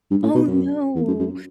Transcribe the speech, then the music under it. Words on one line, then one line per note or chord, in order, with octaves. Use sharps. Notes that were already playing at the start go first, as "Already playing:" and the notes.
Oh, no.
G2
A2
B2
F#2
E2
F#2
F#2